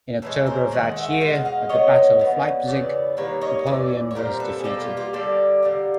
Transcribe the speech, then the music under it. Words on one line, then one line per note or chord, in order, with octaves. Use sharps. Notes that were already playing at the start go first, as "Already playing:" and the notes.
In October of that year, at the Battle of Leipzig, Napoleon was defeated.
C#3 E3 G#3 A4 B4
A#4 C5
D#3 G#3 F#5
E5 F#5
B2 G#3 F5
F#5
D#5 F5
D3 F#3 B3 C#5 D#5
D3 F#3 B3
C#3 E3 B3 D5
D#3 G3 A#3 B4 C#5
C#5 D#5
A2 E3 D5
C#5
A#2 G3 C4 A#4 C5
A4 B4
G#4
B2 G3 A#3 G4 A4
F4 G4
F4 G4
D3 G3 A#3 G4 A4
D3 G3 A#3